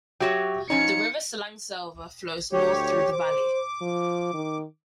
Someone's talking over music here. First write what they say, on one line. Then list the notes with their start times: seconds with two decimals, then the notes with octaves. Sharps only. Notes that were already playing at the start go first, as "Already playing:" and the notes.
The river Salangselva flows north through the valley.
0.20 F#3 F#4 G4 C#5 E5 G5
0.70 F3 C#4 D#4 C#5 C#7
2.53 D2 G4 C#5
3.12 C5 D6
3.82 F3
4.34 D#3